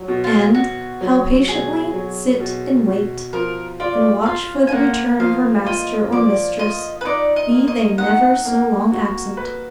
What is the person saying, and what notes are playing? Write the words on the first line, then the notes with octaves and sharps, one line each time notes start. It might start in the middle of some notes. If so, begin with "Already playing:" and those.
And, how patiently sit and wait, and watch for the return of her master or mistress, be they never so long absent!
Already playing: F#3
B2
F4
B2 F#4
F#3
B2 G#4
F#3
B2
B2
F3 A#4
F4 D5
F4 F5
G#5
A#3 F#5
F3 F5
F4 D#5
F3 D5
F4 D#5
B4
D#4 D5
D#5
A#3
D#5
D#4 F#5
A#3
F#4
B4